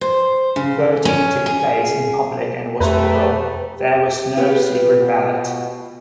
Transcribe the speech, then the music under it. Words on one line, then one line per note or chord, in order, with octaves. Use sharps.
Voting took place in public and was oral; there was no secret ballot.
C5
C#3
C#4
G#4
F2 A3 G4 B4 A#5
G4
B3 F4 G4 B4
B2